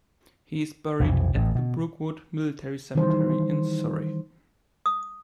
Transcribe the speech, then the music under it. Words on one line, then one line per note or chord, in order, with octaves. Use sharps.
He is buried at the Brookwood Military Cemetery in Surrey.
B1 F2 C3 E3
A1 A2
B2
D#3 E3 G3 C5
D#6